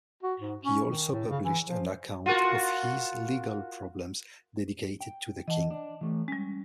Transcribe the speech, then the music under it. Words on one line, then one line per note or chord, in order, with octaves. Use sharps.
He also published an account of his legal problems, dedicated to the King.
F#4
G#2
C#4
D#3
A2
C#3
E3
F3
F4 F#4 A#4
G5
E3 D#5 F#5 A5
D4
E3 A3
G3 G#3 C#4